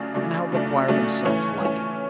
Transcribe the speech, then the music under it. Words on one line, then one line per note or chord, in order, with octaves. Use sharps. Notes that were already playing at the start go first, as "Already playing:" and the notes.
And how the choir themselves like it!
Already playing: C#3 F#3 A3 D4
C#3 F#3 A3 D4
C#3 F#3 A3 D4
C#3 F#3 A3 D4
E3 A3 C#4
E3 A3 C#4